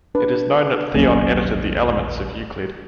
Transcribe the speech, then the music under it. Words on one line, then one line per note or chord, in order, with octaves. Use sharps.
It is known that Theon edited the "Elements" of Euclid.
D4 B4
F1 A#1 D#2 F#3 A#3 C#4